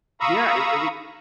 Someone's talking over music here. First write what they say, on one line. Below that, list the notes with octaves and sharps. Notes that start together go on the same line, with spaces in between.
Yeah. It it was
F5 A#5 B5 C#6 D#6 E6